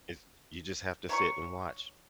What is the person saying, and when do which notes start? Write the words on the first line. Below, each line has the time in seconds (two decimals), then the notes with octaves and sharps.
It's j you just have to sit and watch.
1.09 C#5 A#5 B5 C#6